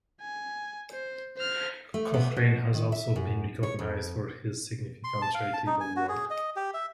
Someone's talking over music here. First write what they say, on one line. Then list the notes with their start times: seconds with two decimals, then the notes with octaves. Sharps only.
Cochrane has also been recognized for his significant charitable work.
0.21 G#5
0.92 C5
1.37 C5 F6
1.94 A3
2.14 B3
2.37 B2
2.74 D#3
2.92 E5
3.16 F#2
3.63 C#5
3.79 F2
5.04 C6
5.22 A5
5.35 F5
5.53 A5
5.67 D#4
5.80 G#5
5.96 F#4
6.09 G#4
6.30 D#5
6.56 G4
6.74 E5